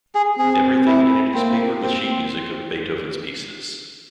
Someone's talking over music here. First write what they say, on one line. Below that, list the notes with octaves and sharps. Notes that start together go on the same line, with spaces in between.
Everything in it is papered with sheet music of Beethoven's pieces.
G#4
C4 G#4
E4
A#3 C4
C4